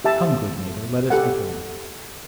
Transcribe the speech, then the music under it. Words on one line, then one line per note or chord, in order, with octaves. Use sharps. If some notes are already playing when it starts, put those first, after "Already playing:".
Come, good neighbour, let us be going.'
G4 E5 A5
G4 A4 F#5